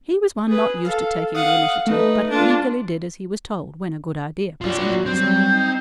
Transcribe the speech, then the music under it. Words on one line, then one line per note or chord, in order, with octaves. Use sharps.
He was one not used to taking the initiative, but he eagerly did as he was told when a good idea presented itself.
G#4 B4
A4 F5
F5 F#5 D#6
A3 D#4 B4
D4 F4
F3 F#3 F#4 D5
F#3 G3 C4 G6
D#4